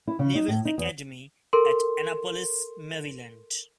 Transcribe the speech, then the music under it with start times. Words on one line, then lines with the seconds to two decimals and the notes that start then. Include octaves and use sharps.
Naval Academy at Annapolis, Maryland.
0.07 E4
0.19 C#3
0.35 D#4
0.48 A2
0.65 D#4
0.78 E2
1.53 A4 A#4 C6